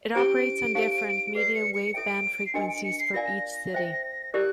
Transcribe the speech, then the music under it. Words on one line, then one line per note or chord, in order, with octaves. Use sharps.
It operates on different medium wave-band frequencies for each city.
C#4 E4 G4 C5 D7
D#4 G4 C5 F5
G#4 B4 D5 C7
C#7
C#7
E4 A4 C#5 E5 G5 D7
C7
D4 F#4 A#4 D#5 G#5 C#7
D7
C#7
C7
F4 A#4 D5 F5 G#5 A#6
C5 E5 G5
E4 G4 A#4 D5 F#6